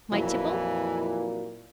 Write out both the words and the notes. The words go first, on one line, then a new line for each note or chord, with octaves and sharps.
My tipple.
F2 A#2 E3 F#3 E4 G4